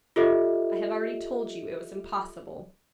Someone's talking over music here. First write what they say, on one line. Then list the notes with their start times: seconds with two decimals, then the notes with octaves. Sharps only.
"I have already told you it was impossible."
0.16 F4 G4 A4 C#5 D#5 E5